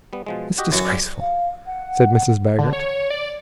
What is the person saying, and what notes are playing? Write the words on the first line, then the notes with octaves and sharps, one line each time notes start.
"It's disgraceful," said Mrs. Baggert.
G3 B3
B2 F3 G#3
F#4 G4 D#5
F#2 E3 F#4
D5
F5
F#5
D3
C#5
D5